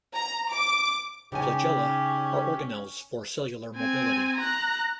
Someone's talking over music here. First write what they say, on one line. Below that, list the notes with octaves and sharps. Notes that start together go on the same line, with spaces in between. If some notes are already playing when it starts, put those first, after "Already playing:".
Flagella are organelles for cellular mobility.
A#5
D6
C#3 C#4 D#4 G4 G#5
C4 G#5
A#5 F#6